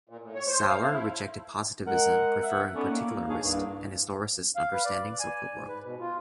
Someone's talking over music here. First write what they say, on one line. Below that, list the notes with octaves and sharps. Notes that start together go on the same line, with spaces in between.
Sauer rejected positivism, preferring particularist and historicist understandings of the world.
A#2
A2
C#5
C5
F5
A3
E4
G#3 A#4 F#5
E5 F#5
B3 C#4 D#4 A4 C#5 D5
A#3
A#3 D4 D#4 G#4 C#5 F5
C2 G2
F5
B4
D5
G#5
G#2
B4
B2
F4